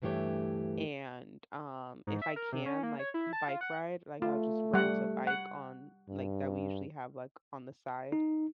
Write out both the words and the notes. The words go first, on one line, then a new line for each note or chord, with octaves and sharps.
and, um, if I can, like, bike ride, like, I'll just rent a bike on, like that we usually have, like, on the side,
D2 G2 E3 A3 G4 C#5
G#2
E5
A#4
C3
C#4
A#3
C#5
E4
A5
F4
F#5
A3 F4
G3 F#5
F#5
G2
D#4